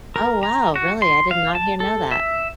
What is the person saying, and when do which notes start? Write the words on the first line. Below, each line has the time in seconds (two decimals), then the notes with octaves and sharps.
Oh, wow, really, I did not hear know that.
0.16 A#4
0.43 A#5
0.76 F#4
1.02 C6
1.31 F5
1.55 A5
1.80 A4
2.11 E5